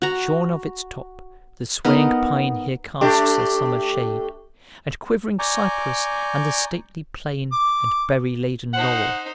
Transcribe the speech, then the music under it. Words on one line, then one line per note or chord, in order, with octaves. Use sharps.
Shorn of its top, the swaying pine here casts a summer shade And quivering cypress, and the stately plane And berry-laden laurel.
F#4 A#5
B3 D#4 A#4
A3 D4 G4
D5 G#5 A#5 C#6 D6 G6
D6
D#4 C5 F#5